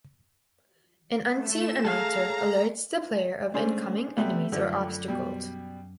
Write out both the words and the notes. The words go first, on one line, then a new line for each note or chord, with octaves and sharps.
An unseen announcer alerts the player of incoming enemies or obstacles.
A3 E7
G#4 A4 F5 A#5
G#3 A3 C#4 D4 G#4 C5
C3 G3 A3 B3
F#2 D3 F3 A3
B2 G3